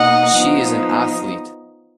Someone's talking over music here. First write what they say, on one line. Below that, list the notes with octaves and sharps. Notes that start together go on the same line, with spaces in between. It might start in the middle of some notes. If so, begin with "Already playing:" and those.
She is an Athlete.
Already playing: B2 A#3 D#4 D#5 F#5
F3 B3 D#4